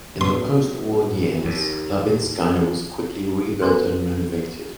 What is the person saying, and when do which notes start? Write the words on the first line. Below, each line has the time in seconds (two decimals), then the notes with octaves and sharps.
In the post-war years, Labinskaya was quickly rebuilt and renovated.
0.21 A2 F#3 B3 D4 C6
1.45 D#2
3.61 B3 A4 B4 C6